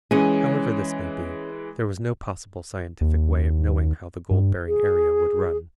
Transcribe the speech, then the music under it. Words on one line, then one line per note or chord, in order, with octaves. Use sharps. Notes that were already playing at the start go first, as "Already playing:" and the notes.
However this may be, there was no possible scientific way of knowing how the gold-bearing area would run.
E3 G#3 C#4 G#4
D#2
G2
G#4